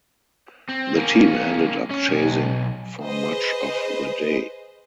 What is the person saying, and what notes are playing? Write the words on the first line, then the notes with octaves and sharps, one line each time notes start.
The team ended up chasing for much of the day.
C4
A#3 C#4
C#4
B1 G#5
G#4 B4 C5 D#5